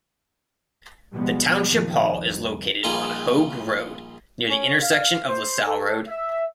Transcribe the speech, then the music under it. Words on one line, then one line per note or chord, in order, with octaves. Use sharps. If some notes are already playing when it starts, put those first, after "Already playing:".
The township hall is located on Hoague Road, near the intersection of LaSalle Road.
B2 F3 G3 G#3 B3
F#2 A#2 D#3 F3
C2 F2
A#1 G3 D#4 F4 G#4 G#5
C#4
F5
C5
A4
E5